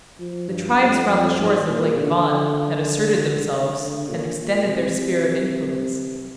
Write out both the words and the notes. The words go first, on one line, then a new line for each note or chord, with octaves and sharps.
The tribes round the shores of Lake Van had asserted themselves and extended their sphere of influence.
F3
G2
F2
F2
G#2
A#2
D3
D3
A#2
A#2
C3